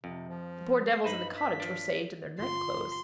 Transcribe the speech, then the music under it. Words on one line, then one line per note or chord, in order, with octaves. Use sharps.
The poor devils in the cottage were saved in their night clothes.
F2 C3
F3
C7
G2 D#4 B4 C5 B5
B6
F3 D4
G1 F4 C6